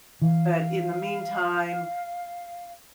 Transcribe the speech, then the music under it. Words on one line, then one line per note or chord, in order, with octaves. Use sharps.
but in the meantime,
E3 F5